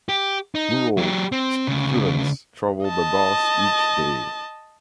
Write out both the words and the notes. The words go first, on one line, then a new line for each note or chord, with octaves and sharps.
Rural students travel by bus each day.
G4
D#4
F#3 G4
C4
D2 C#3
D#5 A5